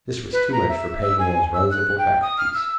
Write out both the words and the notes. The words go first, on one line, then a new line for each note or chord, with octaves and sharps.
This was too much for Paganel's risible faculties.
B4
A#5
E5
E6
G#5
E6
F#6
G5
D#6
F6
E6